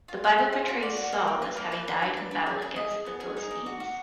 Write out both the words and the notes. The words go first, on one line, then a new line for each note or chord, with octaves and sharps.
The Bible portrays Saul as having died in battle against the Philistines.
F4
G#5
G#4
F4
F#4
D5
F#4
A#3
A#3
B4
A#3
B4
B4
D4
B4
D4
G#4
G#4
D#5
G#4
B3
G#4
D#4
D5
F#4
F#4